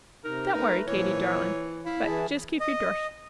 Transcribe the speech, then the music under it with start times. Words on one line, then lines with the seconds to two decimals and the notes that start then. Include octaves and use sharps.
Don't worry, Katy, darling, but just keep your door shut.
0.25 C3 D#4 A#4
0.54 A3 D#4 B4
0.88 A#2 E3 F3 C#5
1.86 E4 F5
2.06 E3 G#4 A5
2.60 D#5